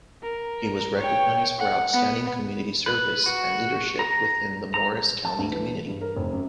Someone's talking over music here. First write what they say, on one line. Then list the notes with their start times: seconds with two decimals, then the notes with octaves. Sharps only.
He was recognized for outstanding community service and leadership within the Morris County community.
0.23 A#4
0.99 C#5 G5
1.58 F#5
1.93 B3
2.86 B4
3.26 F#4
3.99 A#5
4.74 A#5
5.25 A5
5.39 D2
5.52 E3
5.88 G2
6.01 A#4
6.16 F1
6.33 F#2